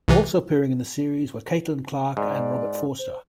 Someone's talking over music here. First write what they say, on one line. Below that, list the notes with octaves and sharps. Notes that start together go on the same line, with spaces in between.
Also appearing in the series were Caitlin Clarke and Robert Forster.
C2 C3 E3
G#2 D5
C5